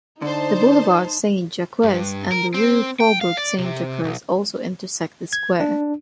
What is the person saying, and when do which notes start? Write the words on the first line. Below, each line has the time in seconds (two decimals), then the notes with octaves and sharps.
The "Boulevard Saint-Jacques" and the "Rue Faubourg Saint-Jacques" also intersect the square.
0.22 D3 D#4 C5 D5 A5
1.83 G2
2.32 A#4
2.54 C4
3.00 G5
3.21 F5
3.37 D5
3.59 C3
4.04 B1
5.33 G#6
5.60 D4